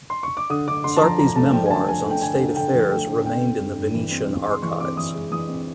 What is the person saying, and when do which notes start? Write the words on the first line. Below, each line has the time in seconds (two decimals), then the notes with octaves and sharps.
Sarpi's memoirs on state affairs remained in the Venetian archives.
0.10 C6
0.23 C#6
0.37 D6
0.50 D3 D#6
0.68 D3 D6
0.84 D3 C6
0.97 A5
1.01 F3 A#5
1.19 F3 A#5
1.36 A3 A5
1.53 F3 G5
1.66 G#5
1.70 D3 A5
1.87 F3 G#5
2.05 A3
2.11 G5
2.22 D3 G#5
2.39 D3
2.56 D3 G5
2.73 F3
2.91 A3 G5
3.08 D3
3.25 C4 G5
3.42 C4
3.60 G2
3.77 G2
3.94 E3
4.11 C4
4.28 G2
4.46 G#3
4.52 C6
4.62 E3 C#6
4.80 C4 D6
4.97 E3 D#6
5.14 G#3
5.31 E3 D#6
5.48 C4